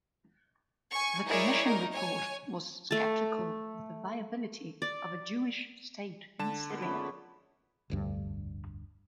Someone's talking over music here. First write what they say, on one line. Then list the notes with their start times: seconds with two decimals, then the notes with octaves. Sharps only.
The Commission Report was skeptical of the viability of a Jewish state in "Syria".
0.91 G#5 C#6
1.27 D#4 E4 G#4 A#4 C#5 D5
1.62 D#4 A#4
1.92 C#5 G#5
2.91 A3 A5
4.82 D5
6.39 D3 A5 E7
6.70 A#2 B3
6.82 F#2 C#3 B5
7.90 F1 D2 G2